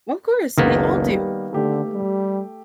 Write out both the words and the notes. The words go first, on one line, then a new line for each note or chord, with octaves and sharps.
O of course, we all do.
F#1 C#2 D#3 A#3 B3
G3
D3 A3 G4
G3